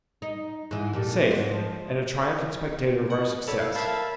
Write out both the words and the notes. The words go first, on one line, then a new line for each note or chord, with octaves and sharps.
'Safe, and a triumphant spectator of our success.'
D#4
G#2 E3
F2 A#2 G3
G#2 C5
F3
F#5
A4 C#5 D5 B5
E4 F5
A#3 E5 F5 A5 B5